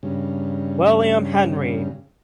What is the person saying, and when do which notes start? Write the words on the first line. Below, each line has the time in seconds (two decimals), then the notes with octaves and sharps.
William Henry.
0.03 G2 C#3